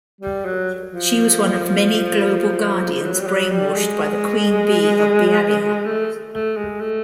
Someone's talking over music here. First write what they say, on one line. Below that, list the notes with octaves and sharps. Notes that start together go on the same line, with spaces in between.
She was one of many Global Guardians brainwashed by the Queen Bee of Bialya.
G3
F#3
F3
F#3
G3
F#3
G3
G#3
A3
A3
G#3
A3